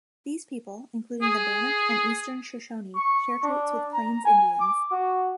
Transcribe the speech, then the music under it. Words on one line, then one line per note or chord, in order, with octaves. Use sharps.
These people, including the Bannock and Eastern Shoshone share traits with Plains Indians.
G#4
C#6
D4
A#5
G#5
D6
F#4